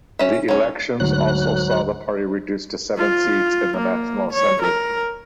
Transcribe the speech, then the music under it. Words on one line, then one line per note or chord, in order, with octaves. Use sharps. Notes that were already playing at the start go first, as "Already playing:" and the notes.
The elections also saw the party reduced to seven seats in the National Assembly.
C#4 E5
F#3 C#4
D2 G#2 F#3 F#6
F4
A#3
C#5
A#4